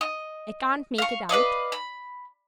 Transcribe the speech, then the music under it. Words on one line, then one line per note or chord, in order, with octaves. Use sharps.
I can't make it out.
D#5
F5 C#6
B4 D5 D#5 F5
B5